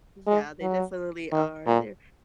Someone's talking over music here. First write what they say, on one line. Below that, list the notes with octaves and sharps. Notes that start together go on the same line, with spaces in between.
Yeah, they definitely are, they're
G#3
F#3
D#3
A#2